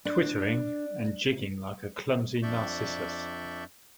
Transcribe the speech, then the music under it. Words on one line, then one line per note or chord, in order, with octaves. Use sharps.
Twittering, and jigging like a clumsy Narcissus.
D4
F2 D4 D5 E5 C#6 G6